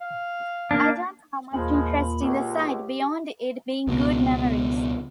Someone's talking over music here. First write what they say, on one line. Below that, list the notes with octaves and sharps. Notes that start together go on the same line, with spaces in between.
I don't have much interest in the site beyond it being good memories.
F5
A#3 D4
D#2 A#2 F3 G#3 B5
C#2 G4
C#2 B2